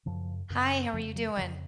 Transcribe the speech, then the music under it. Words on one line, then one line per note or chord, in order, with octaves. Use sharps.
Hi, how are you doing?
F#2 C#3 F3
F#2 C#3
F2 C#3 F3
F#3
F2 C#3 F3